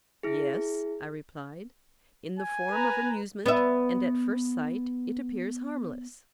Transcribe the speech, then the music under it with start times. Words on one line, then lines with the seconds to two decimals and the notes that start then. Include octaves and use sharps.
Yes, I replied, in the form of amusement; and at first sight it appears harmless.
0.23 E4 G#4
2.39 G#5
2.71 B4 A#5
3.46 B3 E5